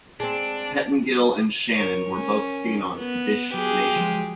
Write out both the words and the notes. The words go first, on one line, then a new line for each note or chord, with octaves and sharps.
Pettengill and Shannon were seen on Dish Nation.
G#3 C4 D4
A#4 C#5
C#4
B3
F#3 B3 G4 G#4
F3 F#3 G#3